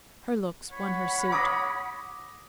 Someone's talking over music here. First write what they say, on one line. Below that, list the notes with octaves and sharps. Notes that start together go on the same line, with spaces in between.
Her looks won her suit.
C#5 F#5 B5
D6 D#6 A#6